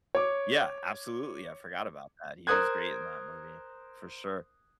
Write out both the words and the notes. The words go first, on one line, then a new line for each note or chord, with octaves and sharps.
Yeah, absolutely, I forgot about that, he was great in that movie, for sure,
C#5 D6
A#4 C5 D#6 F#6 G#6